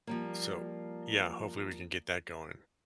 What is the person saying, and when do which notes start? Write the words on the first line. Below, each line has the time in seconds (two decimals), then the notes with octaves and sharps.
so, yeah, hopefully, we can get that going.
0.07 F3 G3 A#3